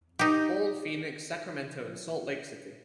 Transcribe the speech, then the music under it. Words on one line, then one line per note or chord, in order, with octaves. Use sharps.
Paul, Phoenix, Sacramento and Salt Lake City.
D#4 G4